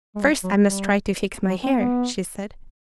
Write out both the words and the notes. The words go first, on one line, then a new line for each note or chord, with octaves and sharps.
"First I must try to fix my hair," she said.
G#3
G3
F#3
G3
F#3
C4
B3